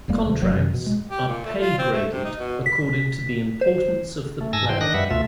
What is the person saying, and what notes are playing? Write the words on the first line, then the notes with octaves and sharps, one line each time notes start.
Contracts are pay graded according to the importance of the player.
E1 E2 G3 A#3
D#2 C3
F#1 F#3
F#2 C3 D#3 E3
B2
G#3
G4
A#2
A3
F4
C4
A3
C3
D#4
B2
B6
C5
A3
G#2 G#5 A5 E6 A#6
G#2 E3 C5 G5
D#3 D4 D#5 F#6 A#6
F#2 G3 B4 E5 F#5
D2 B2 A3 F4 E5